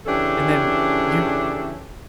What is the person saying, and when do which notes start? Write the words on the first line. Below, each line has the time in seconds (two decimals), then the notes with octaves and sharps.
And then you
0.06 C#3 E3 C#4 D4 G4 A4